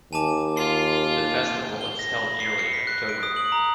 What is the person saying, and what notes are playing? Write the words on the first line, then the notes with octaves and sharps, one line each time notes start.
The festival is held yearly in October.
D#2 G#5 A5 D6
F4 C7
G7
A#6
B5
C7
C#7
B6
F#6
D7
D#6
F#7
A#5